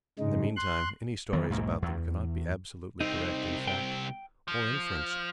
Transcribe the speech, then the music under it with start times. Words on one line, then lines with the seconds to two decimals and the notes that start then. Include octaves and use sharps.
In the meantime, any stories about them cannot be absolutely correct in fact or inference.
0.19 G#2 C#3 G#3 D#4
0.57 C6 F#6
1.33 D#3 E3 F#3 B3
1.50 B1 G#2 G3 A#3
1.82 E2
3.00 C2 C4 D#4
3.67 G5
4.48 F3